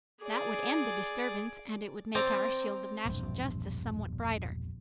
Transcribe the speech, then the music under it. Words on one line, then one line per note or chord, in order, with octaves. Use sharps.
That would end the disturbance and it would make our shield of national justice somewhat brighter.
G#4 D5
C4 D5 A#5
E1 A#1 G2